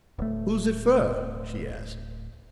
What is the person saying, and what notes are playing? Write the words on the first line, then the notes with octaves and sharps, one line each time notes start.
"Who's it fur?" she asked.
D1 A3